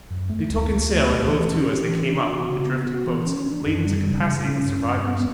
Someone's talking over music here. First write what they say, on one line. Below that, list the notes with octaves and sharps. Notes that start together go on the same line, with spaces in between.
They took in sail and hove to as they came up with the drifting boats, laden to capacity with survivors.
F#2
A3
D2
D2
A3
G4
E3
C#4
G4
E3
D4
F#4
C#3
B3
F#4
E3
C#4
D4
F#2
G3
C#3
C#3
C#4
G2
G2
B3